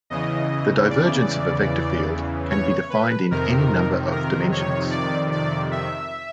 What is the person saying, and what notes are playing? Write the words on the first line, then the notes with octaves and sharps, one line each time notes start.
The divergence of a vector field can be defined in any number of dimensions.
E2 C#3 E3 D#5
D5
C#5
B4
F2 C3 D#3 A#4
A#4
C#5
D5
D5
E5